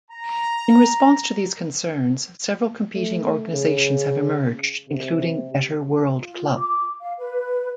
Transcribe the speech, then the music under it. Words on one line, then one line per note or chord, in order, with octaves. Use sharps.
In response to these concerns, several competing organizations have emerged, including Better World Club.
A#5
A3
C#3
C3
F4
D6
F5
B4